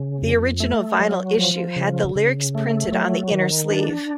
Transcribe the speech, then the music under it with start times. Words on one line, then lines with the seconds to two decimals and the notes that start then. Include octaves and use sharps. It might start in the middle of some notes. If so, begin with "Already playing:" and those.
The original vinyl issue had the lyrics printed on the inner sleeve.
Already playing: C#3
0.22 F2
0.60 A3
1.00 F#3
1.37 F3
1.76 C#3
2.15 C#3
2.55 A3
2.92 F#3
3.31 D#3
3.70 D4